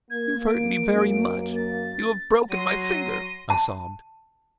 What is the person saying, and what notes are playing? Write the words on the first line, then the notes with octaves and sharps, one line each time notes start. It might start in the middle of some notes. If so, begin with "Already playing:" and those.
'You've hurt me very much--you have broken my finger,' I sobbed.
A#3 G#6
D7
F#2
A6
F#3 C6 A#6 D#7
A5